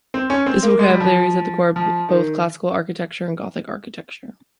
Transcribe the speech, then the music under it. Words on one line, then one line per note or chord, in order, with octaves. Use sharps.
This vocabulary is at the core of both classical architecture and Gothic architecture.
C4
C#4
C4
A#3
G#3
G3
F3
F3
D#3